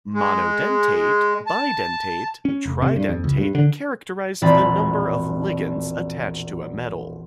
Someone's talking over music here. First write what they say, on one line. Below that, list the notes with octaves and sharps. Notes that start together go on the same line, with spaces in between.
Monodentate, bidentate, tridentate characterized the number of ligands attached to a metal.
G#3
A5
C#4
F1
C3
G2
F2
C#2
G2
D3
E1 A#1 C4 D5 B5